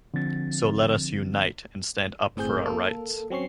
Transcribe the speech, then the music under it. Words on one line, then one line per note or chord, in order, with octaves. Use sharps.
So let us unite and stand up for our rights.
D3 F3 C4 A6
G1 A2 C4 G#4 G6
A#3 A4
F#3 C4 C#4 C#6 C7